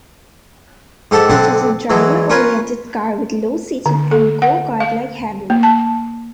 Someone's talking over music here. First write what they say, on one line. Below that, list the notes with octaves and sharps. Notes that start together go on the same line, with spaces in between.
It is a driver oriented car with low seating and go kart like handling.
G#2 G4 A4 F#5 A5
B1 D3 C4 D4 D5 F#5
E3 F#3 G#3
C#4 F4 A#4 B4 C#5
D3
A4
F#5
F5
A#3
A5